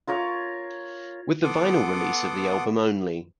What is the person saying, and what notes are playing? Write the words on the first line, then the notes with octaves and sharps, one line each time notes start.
With the vinyl release of the album only.
F4 A#4 C#5 F5
B3 A4 F#5 C6 D6 D#6